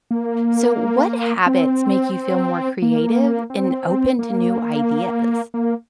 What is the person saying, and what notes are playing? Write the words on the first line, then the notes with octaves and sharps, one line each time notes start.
So, what habits make you feel more creative and open to new ideas?
A#3
C4
A#3
C4
A#3
A#3